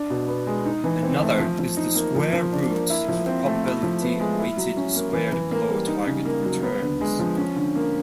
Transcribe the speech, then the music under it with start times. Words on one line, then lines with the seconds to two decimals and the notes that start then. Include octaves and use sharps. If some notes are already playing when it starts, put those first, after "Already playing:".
Another is the square root of the probability-weighted squared below-target returns.
Already playing: D4
0.10 B2
0.28 B3
0.47 G#3
0.65 D#4
0.84 E3
1.03 C4
1.22 A3
1.40 F3
1.59 F3
1.77 D#4
1.95 A#3
2.15 F3
2.33 F3
2.52 D4
2.71 A#3
2.90 E4
3.08 F3
3.26 C4
3.46 A3
3.64 E4
3.83 F3
4.01 B3
4.20 G#3
4.39 E4
4.57 F#3
4.77 C#4
4.95 A#3
5.13 E3
5.32 E3
5.51 A#3
5.70 G3
5.88 D#4
6.06 C#3
6.26 A#3
6.44 F#3
6.62 B3
6.81 D3
7.01 G#3
7.19 F3
7.37 C#4
7.56 D3
7.76 A#3